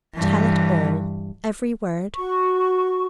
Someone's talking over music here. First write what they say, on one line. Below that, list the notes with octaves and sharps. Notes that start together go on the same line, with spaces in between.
"Tell it all;--every word!"
G2 E3
F#4 C#6